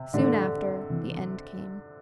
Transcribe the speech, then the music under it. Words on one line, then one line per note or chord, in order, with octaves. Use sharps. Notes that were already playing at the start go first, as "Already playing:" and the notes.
Soon after, the end came.
Already playing: C3
A2 D3 E3 A3 D4 G4
C3 E3